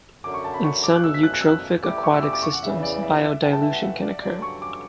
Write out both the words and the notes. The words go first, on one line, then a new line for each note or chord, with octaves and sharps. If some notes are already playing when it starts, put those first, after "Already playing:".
In some eutrophic aquatic systems, biodilution can occur.
F#2 D3 F#3 D6
C#6
A5
B5
C#6
D6
F#6
B2 F#3 A3 E6
B6
F#6
F#6
E6
F#6
A3 E4 G4 D5 D6
C#6
E6
D6
D6
C#6
F#5
E2 C#3 E3 E5
D5
E5
E5
G2 E3 A3 G5
A5
E5
F#5
E5
D5
G2 D3 F#3 D5
C#6
D6